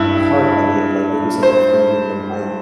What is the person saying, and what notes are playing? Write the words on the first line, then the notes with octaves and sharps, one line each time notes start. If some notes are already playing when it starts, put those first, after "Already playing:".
a part of it, like, they'll do something funny with the mic
Already playing: G2 E4
C5